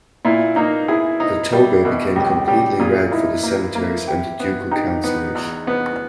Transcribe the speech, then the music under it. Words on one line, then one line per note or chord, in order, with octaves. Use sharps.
The toga became completely red for the senators and the ducal councilors.
A#2 E4
A#3 D#4
E4 G#4
D#4
G3
B2
C#2 G4
G3 G4
A#2 G#4
D#4 E4
A#3
A#3
G4
B3
D#4 G4
B3
E2
B3